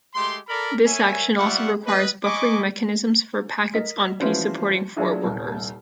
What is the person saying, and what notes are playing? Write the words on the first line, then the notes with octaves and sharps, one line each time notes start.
This action also requires buffering mechanisms for packets on p-supporting forwarders.
G#3 A3 G4 C6
A4 A#4 D5 A#5 B5
A#4 C#5 E5 G#5
G3 F4 E5 F#5 C#6 D6
B4 D#5
D#5 G#5 B5 C#6 D6
A#4 D#5 B6
E3 F3 C#4 F#4 B4 C5
F#3 D4 F4 F#4 G#4 E5
D#1 C2